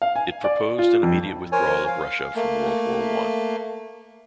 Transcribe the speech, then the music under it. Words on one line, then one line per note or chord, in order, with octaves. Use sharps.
It proposed an immediate withdrawal of Russia from World War One.
F5
G#5
D5
F4
F2
A#4 C5 C#5 G#5
F5
A3 A#3